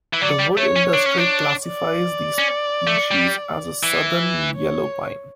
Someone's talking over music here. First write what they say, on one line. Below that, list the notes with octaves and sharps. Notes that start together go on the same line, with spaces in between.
The wood industry classifies the species as a southern yellow pine.
E3
F#3 D5
G3
A3 C#5
C#4
D4
C#4
D4
D5
C#4
A3
G3
E3
C#5